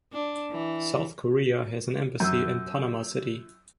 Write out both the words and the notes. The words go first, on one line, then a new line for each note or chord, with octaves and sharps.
South Korea has an embassy in Panama City.
D4
E3
F#2 E6 G6